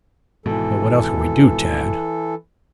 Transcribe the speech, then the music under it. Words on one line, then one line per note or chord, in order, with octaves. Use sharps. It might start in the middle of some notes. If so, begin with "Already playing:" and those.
"But, what else can we do, Tad?"
G#1 G#2 B2 E3 A4